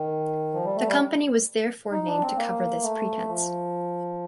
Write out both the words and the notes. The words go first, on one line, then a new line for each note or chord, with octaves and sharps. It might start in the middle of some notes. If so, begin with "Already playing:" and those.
The company was therefore named to cover this pretence.
Already playing: D#3
F3
G3
A3
G3
D#4
D4
C4
A#3
A3
F3